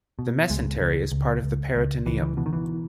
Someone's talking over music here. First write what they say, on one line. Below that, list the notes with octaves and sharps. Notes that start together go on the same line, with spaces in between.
The mesentery is part of the peritoneum.
B2
C#2 G#3
C#2
C#2
C#2
C#2
C#2 E3
E3
B2 E3
D#3
E3